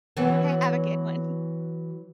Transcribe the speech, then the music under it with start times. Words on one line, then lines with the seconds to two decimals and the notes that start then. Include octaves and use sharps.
Okay, have a good one.
0.17 E3 F#3 B3